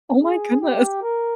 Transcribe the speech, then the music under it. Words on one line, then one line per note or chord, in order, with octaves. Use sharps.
Oh my goodness.
G#4
G4
A#4